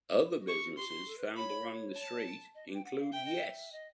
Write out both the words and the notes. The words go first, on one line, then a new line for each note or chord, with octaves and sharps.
Other businesses found along the street include Yes!
E4
F4
F#4
G4 C#6
F#4
G4 C6
F4
F#4
A4
B4
C#5 B5
A5
D#5
G5
F#5
F5
E5 G5
D#5
E5
D#5